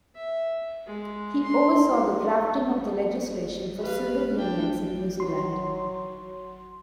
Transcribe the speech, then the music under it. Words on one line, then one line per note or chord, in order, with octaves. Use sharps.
He oversaw the drafting of the legislation for civil unions in New Zealand.
E5
G#3
C6
F#4
G4 B4 F5
A3 D4 G5
F#3 C6